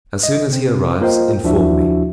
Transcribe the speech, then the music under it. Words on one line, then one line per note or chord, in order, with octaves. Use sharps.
As soon as he arrives inform me.
D#5
C3 C4
A#3 F4 A#4 C5 D#5 G5
D#2 F3 D4 E4 F#4 E5